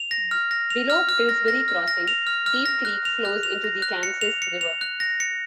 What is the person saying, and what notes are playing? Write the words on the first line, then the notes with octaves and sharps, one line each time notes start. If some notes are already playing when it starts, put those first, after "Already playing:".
Below Pillsbury Crossing, Deep Creek flows into the Kansas River.
Already playing: F7
A#6
F6
A#6
F7
F6
F6
A#6
A#6
F6
A#6
F7
F6
F6
A#6
F#6
F7
F#6
F7
A#6
F#6
C#7
F7
C#7
F7
F#6
A#6
C#7